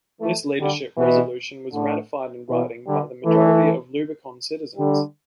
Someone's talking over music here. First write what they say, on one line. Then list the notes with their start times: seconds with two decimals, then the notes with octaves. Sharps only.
This leadership resolution was ratified in writing by the majority of Lubicon citizens.
0.21 E3 A3
0.59 D3 G3
0.97 B2 E3
1.73 A2 D3
2.49 B2 E3
2.87 D3 G3
3.25 E3 A3
4.77 D3 G3